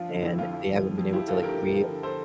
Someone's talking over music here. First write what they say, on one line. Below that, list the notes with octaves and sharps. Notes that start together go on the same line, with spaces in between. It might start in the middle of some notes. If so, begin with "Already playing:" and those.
and they haven't been able to, like, real
Already playing: G2 F3 F4
D3
F2 E4
F2 F4
F3
D3
F2
F2
F3 E4 G4
D3 F4 A4
G2 G4 A#4
G2
F3
D3
A4 C5